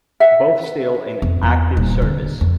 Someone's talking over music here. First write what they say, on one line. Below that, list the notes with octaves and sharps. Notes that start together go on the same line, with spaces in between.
Both still in active service.
E5 F#5
F2
E2
D#1
D3
F2